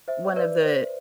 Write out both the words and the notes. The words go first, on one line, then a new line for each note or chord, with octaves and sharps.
one of the
C5 E5
B4 D5
C5